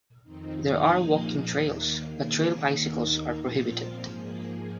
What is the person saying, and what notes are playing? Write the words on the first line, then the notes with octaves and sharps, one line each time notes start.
There are walking trails, but trail bicycles are prohibited.
F2 D#3 C4 D#4
A#2 F3 A#3 D#4 G#4
D#2 D#3 A#3
D#3 A#3 G#4
D#2 D#3 A#3 D#4
A#2 F3 C4 F4
G#2 F3 A#3 G#4